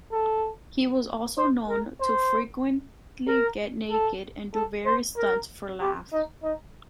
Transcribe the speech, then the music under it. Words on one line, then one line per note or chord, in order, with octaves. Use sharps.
He was also known to frequently get naked and do various stunts for laughs.
A4
C5
A#4
C5
A#4
A4
A4
C5
A#4
G4
D#4
D#4